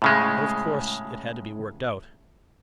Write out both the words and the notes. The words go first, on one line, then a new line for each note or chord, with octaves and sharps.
But of course it had to be worked out.
A2 C#3 G#3